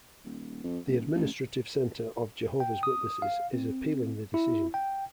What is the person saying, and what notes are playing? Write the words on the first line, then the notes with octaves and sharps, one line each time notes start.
The Administrative Center of Jehovah's Witnesses is appealing the decision.
D#1
F2
D#1
A1
G5
D#6
F5
C4
E4
G5